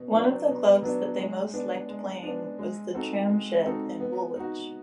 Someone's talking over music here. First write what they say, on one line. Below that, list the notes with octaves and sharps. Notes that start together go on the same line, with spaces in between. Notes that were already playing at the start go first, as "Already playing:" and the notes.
One of the clubs that they most liked playing was "The Tramshed" in Woolwich.
Already playing: B2
F#3 B3 D4
B2
F#3 B3 D4
G#3
B3 D4
G#3
B3 D4
G#3
C4 D#4 F#4 A4
G#3
C4 D#4 F#4 A4
B3
D#4 F#4